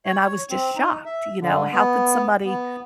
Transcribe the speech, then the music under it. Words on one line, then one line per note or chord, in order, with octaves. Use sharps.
and I was just shocked, you know, how could somebody
C#5
C4
D#4
E5
D3
B3
B3